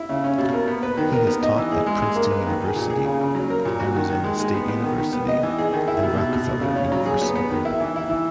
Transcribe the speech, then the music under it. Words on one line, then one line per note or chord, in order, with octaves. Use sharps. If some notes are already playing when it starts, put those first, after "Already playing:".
He has taught at Princeton University, Arizona State University and Rockefeller University.
Already playing: E4
C#3
C#4
B2
A#4
B3
B4
D#3
A#4
B3
D#5
E3
G#4
G#3
G#3
A#3
B4
D#3
G#4
A#2
G#4
C#3
C#3
F#3
A#4
A#2
F#4
D#3
D#3
G#3
G#3
B3
B3
D#3
D#3
B3
D#5
E3
G#4
D#3
E4
B2
B2
B2
B2
C#3
C#4
F#3
G#4
B3
B3
D#3
E4
E3
E4
E3